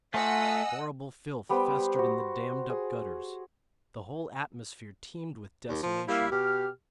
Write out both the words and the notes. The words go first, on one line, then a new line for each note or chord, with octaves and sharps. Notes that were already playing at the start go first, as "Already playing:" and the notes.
Horrible filth festered in the dammed-up gutters. The whole atmosphere teemed with desolation.
A3 F4 D#5 F#5 G#5 E6
G3 B3 C5 G5
F#4 C5
G#4
D#2
F3
G3 A#3 E4 F5
B2 G4 F6